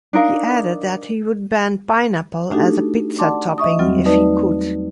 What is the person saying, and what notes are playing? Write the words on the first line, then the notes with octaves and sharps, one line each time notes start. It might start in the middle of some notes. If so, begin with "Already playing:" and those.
He added that he would ban pineapple as a pizza topping if he could.
D4 D#4 A#4 F5
A3 D4 D#4 F#4 G4 A4
D5 F#5 A5 C6 D6
D#5 E5 C#6 D#6
E2 F#3 G3 C4 F#4 F6
A3 D#4 B4 D5 A5